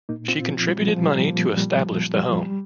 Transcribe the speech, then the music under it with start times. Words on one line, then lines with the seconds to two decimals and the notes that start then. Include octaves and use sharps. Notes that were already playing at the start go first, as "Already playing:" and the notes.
She contributed money to establish the home.
0.09 A#2 A#3 D#4
0.28 C4 F4
0.39 A#2
0.49 F3
0.68 F3 G3
0.88 F3
0.98 A#2
1.07 G3
1.27 A#2 F3 A#3
1.57 A#2 G3
1.87 F3
2.16 F3 G3
2.29 F3
2.42 G3